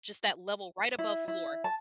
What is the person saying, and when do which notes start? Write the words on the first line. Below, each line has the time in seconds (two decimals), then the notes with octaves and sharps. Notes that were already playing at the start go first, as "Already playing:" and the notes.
just that level right above floor.
0.99 E4
1.28 E4
1.64 A5